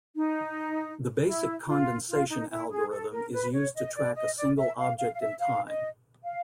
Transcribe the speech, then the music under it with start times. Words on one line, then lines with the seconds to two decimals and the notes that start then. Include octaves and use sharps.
The basic Condensation algorithm is used to track a single object in time.
0.15 D#4
1.25 E4
1.67 F4
2.09 F4
2.29 D#4
2.50 E4
2.71 G#4
2.91 A4
3.12 A#4
3.33 B4
3.53 C#5
3.74 D#5
3.95 D5
4.16 D#5
4.37 D5
4.57 E5
4.78 F5
4.98 F5
5.13 F5
5.20 E5
5.40 F5
5.68 D#5
6.23 F5